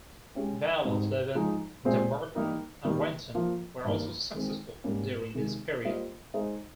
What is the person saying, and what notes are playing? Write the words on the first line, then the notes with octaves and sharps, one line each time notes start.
Vale of Leven, Dumbarton and Renton were also successful during this period.
G#3 C#4 G4
G#2 G3 C4 D#4
F3 G#3 D#4
A#2 G#3 C4 G4 C5
G3 A#3 D#4 G4 A#4
D#3 G3 A#3
F3 A#3 F4
G2 D#3 A#3
D#3 G#3 C4
G#2 G3 A#3 C#4
C3 D#3 G#3
G3 A#3 F4 C5 D#5
G#3 D#4 G#4 C5 D#5